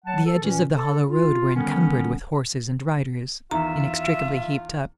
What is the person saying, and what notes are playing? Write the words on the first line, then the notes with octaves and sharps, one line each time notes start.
The edges of the hollow road were encumbered with horses and riders, inextricably heaped up.
F#3 F#5 A5
A4
A#2 D#3 E3 C#4
A4
F4
D3 D#3 G3 B3 C#4
E2 D#3 F4 E5 A#5